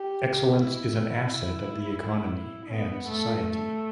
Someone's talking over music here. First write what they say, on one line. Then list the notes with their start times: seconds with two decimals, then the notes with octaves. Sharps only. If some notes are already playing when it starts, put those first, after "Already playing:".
Excellence is an asset of the economy and society.
Already playing: G4
0.60 E4
2.73 B3
3.09 A3
3.44 A3